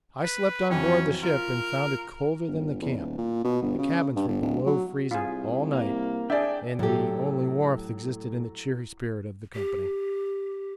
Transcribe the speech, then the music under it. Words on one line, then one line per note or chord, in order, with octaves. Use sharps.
I slept on board the ship and found it colder than the camp--the cabins were below freezing all night and the only warmth existed in the cheery spirit of the company.
B4
F2 E3 F#3 C#4
F4 A#4
G1
E2
D#1
A#2
B2
G1
C#3
G2
G1
D1
F#3
C2 F4 G#4
A#3
D4 G#4 D5 E5 G5
A2 F#3 G4 A4
G4